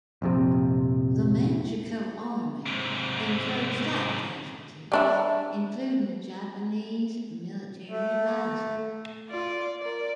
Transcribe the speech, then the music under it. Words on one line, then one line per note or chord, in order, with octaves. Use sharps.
The Manchukuo Army incurred slight casualties, including a Japanese military advisor.
A#1 F2 C3
G#2 C3
G3 D4 E4
A3
F4 D5
A#4 D5